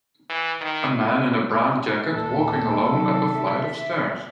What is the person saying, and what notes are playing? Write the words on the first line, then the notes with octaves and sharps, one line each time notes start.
A man in a brown jacket walking alone up a flight of stairs.
E3
D#3
D#2 A#2 A4
C3 D#3 F#3
E5